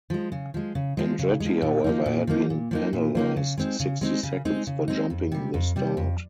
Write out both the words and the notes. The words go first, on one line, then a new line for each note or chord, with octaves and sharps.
Andretti however had been penalised sixty seconds for jumping the start.
F3 G#3
C#3
F3 G#3
C#3
F3 G#3
C#3
F3 G#3
A#2
F3 A#3 D#4
A#2
F3 A#3 D#4
A#2
F3 A#3 D#4
A#2
F3 A#3 D#4
C#3
G#3 C4 D#4
C#3
G#3 C4 D#4
C#3
G#3 C4 D#4
C#3
G#3 C4 D#4
F2
C3 G3
F2
C3 G3
F2